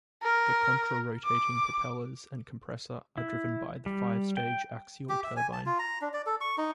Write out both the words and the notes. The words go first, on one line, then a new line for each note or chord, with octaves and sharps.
The contra-rotating propellers and compressor are driven by the five-stage axial turbine.
A#4
D6
E4
G3
G5
G4
E5
G#5
A5
F4
A#5
D4
D5
A4
C#6
D#4